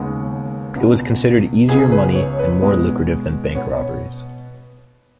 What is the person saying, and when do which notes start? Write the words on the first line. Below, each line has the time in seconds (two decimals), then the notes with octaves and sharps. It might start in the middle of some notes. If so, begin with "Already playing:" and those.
It was considered easier money and more lucrative than bank robberies.
Already playing: D#2 C#3 G#3 B3
0.76 C#2 B2 B3
1.69 C#2 C#3 B3 G#4
1.92 B4
2.15 C#5
2.39 B4
2.62 B2 G#3 B3
3.55 B2 B3 C#5